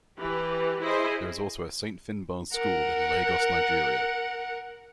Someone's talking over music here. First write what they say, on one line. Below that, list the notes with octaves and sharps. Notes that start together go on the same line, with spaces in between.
There is also a Saint Finbarr's school in Lagos, Nigeria.
E3 G4 B4
E4 G#4 C5 D#5
A#4 F#5